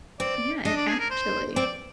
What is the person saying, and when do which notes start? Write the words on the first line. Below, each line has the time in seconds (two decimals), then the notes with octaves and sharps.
Yeah. And, actually"
0.20 C4 D5
0.65 D4 D#5
0.77 D5
0.87 G#4
0.99 A#4
1.10 C5
1.55 C4 D5